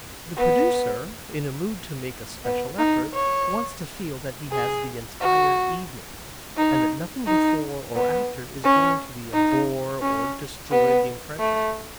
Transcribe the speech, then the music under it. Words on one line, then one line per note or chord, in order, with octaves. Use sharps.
The producer in a mood to make a special effort wants to feel that he has the entire evening, and that nothing before or after is going to be a bore or destroy the impression.
B3
B3
D#4
C#5
G#4
F#4
D#4
D#4
B3
C#4
D#4
C#4
B3
A3